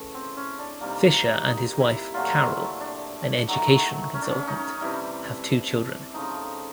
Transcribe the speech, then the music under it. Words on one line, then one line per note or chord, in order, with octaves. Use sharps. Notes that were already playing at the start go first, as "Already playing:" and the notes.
Fisher and his wife, Carol, an education consultant, have two children.
Already playing: C#3 E3 A3
C4
C#4
D4
C3 D#3 G3 A#3
D#4
E4
A#2 F#3 A3 F4
E4
D4
D#3 F#3 A3
C#4
D4
C#4
D#4
C3 E3 G3 E4
C#3 F3 A3 D#4